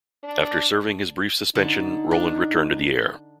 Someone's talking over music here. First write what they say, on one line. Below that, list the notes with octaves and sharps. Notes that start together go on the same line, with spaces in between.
After serving his brief suspension, Roland returned to the air.
D4
D3 D#4 A5
D4